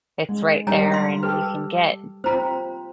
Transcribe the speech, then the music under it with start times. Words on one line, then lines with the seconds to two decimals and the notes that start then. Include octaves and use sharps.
it's right there, and you can get
0.29 G#3
0.67 G3 D4 A#4 C#5 G#5 A#5
0.90 G4 F5 C6
1.23 G4 A4 B4 G5
2.24 C4 F4 C5 A#5 B5